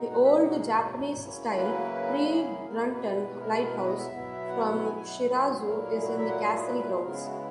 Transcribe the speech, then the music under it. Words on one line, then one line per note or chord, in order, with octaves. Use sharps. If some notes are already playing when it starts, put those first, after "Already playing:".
The old Japanese-style pre-Brunton lighthouse from Shirasu is in the castle grounds.
Already playing: B2 G#3 D#4
F#5
E5
D#5
F#4
A#4
G#4
A#4
B4
C#5
C#3 F#3 A#3 C#4 E4
B4
G#4
B2 G#3 B3 E4 A#4
G#4
B4
A#4
G#4
A#4
B4
D#5
E5
B2 F#3 B3 E4
F#5
G#5
G#5
F#5
F#5
E5
F#4
A#2 F#3 A#3 E4 G#4
A#4
A#4
G#4
F#4
E5
F#5
E5
D#5
B4
B4
G#4
C#3 G#3 B3 E4 A#4
G#4
F#4